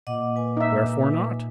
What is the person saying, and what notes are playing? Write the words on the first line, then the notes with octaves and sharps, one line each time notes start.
Wherefore not?
A#2 D#5 F#5 D6
B4 G#5 D6
D#4 E5